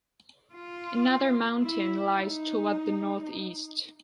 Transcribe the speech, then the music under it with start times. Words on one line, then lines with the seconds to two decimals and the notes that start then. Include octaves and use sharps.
Another mountain lies toward the northeast.
0.54 F4
1.62 E4
2.17 D#4